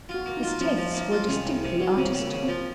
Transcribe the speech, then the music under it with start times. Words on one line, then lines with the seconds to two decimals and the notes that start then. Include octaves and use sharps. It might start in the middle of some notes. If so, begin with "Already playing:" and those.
His tastes were distinctly artistic.
0.09 F4
0.14 F#4
0.26 A#3
0.37 D#4
0.43 F4
0.60 F3 C#4
0.78 F3
0.94 A#3
1.11 F4
1.28 C3 C#4
1.46 C2
1.63 C3
1.80 F#3
1.97 C#3 C4
2.14 C#3
2.20 A#3
2.31 C#3
2.43 C4
2.48 F3